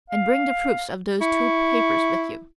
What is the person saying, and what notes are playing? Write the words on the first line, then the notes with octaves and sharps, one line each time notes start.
And bring the proofs of those two papers with you.
F5
E4 C#6